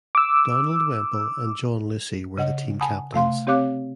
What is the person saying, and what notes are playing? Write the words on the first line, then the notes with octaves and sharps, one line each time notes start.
Donald Wemple and John Lucy were the team captains.
D6 E6
C#3 D#5 F#5
F#5 G#5 A5 B5 D#6
C3 A3 F5 C6
C4 G4 C#5 F5 D6 F#6